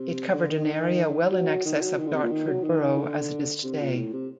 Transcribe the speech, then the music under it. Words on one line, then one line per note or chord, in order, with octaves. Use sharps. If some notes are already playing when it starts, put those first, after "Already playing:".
It covered an area well in excess of Dartford Borough as it is today.
Already playing: C3
D3
D#3
F#3
D#3
F#3
D#3
D3
C3
A#2
D#3
F#3
D#3
D#3
D3
C3
A#2
A2
C3